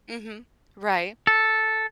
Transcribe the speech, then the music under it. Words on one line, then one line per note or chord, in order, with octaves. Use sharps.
Mhm, right.
A4